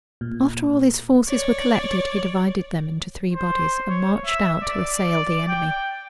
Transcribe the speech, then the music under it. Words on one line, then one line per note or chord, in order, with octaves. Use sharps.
After all his forces were collected, he divided them into three bodies, and marched out to assail the enemy.
A#2
C#5 D5
C5
C#5
E5
D5
G5